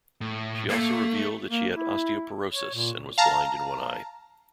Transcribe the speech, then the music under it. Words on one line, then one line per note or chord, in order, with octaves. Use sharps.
She also revealed that she had osteoporosis and was blind in one eye.
A2
A3 A#3
A#3
E4
C#5
A#2
F5 A5 A#5